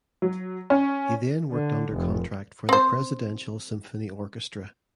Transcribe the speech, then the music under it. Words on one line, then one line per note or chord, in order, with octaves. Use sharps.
He then worked under contract for the Presidential Symphony Orchestra.
F#3
C#4
D3
F1
C4 C5